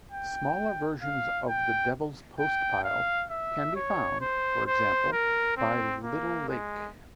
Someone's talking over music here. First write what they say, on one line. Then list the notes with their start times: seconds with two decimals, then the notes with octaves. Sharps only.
Smaller versions of the Devils Postpile, can be found, for example, by Little Lake.
0.12 G5
1.02 F5
1.48 G5
2.39 G5
2.84 F5
3.30 E5
3.76 C#5
4.21 C5
4.67 C5
5.12 A#4
5.57 C4
6.04 A#3
6.49 G#3